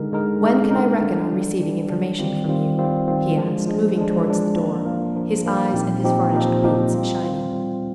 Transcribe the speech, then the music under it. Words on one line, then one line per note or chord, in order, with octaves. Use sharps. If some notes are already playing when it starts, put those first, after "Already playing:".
"When can I reckon on receiving information from you?" he asked, moving towards the door, his eyes and his varnished boots shining.
Already playing: D3 G#3 D#4 A#4
D3 G#3 D#4 A#4
D3 G#3 D#4 A#4
D3 G#3 D#4 A#4
D3 G3 D4
D3 G3 D4
D3 G3 D4
D3 G3 D4
D#3 G3 C4 F4
D#3 G3 C4 F4
D#3 G3 C4 F4
D#3 G3 C4 F4
F3 G#3 D4
F3 G#3 D4
F3 G#3 D4
F3 G#3 D4
F3 A#3 D4 F4 A#4
F3 A#3 D4 F4 A#4
F3 A#3 D4 F4 A#4
F3 A#3 D4 F4 A#4
A#2 F3 C4 D#4 G4
A#2 F3 C4 D#4 G4
A#2 F3 C4 D#4 G4
A#2 F3 C4 D#4 G4
G3 C4 F4
G3 C4 F4
G3 C4 F4